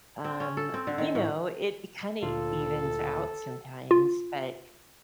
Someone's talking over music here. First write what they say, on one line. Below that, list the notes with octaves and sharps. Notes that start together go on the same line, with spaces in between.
um, you know, it it kinda evens out sometimes. But
C4
C#4
A4
C4
D3
D#3
A2
D2 A#2 F4 A4
F4